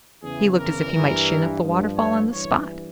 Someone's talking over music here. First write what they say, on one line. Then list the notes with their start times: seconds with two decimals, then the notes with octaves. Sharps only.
He looked as if he might shin up the waterfall on the spot.
0.22 E2 C#3 E3 G#4
0.58 A#4
0.92 G2 E3
1.61 G2 F3
1.96 C#5
2.31 G2 E3 C#5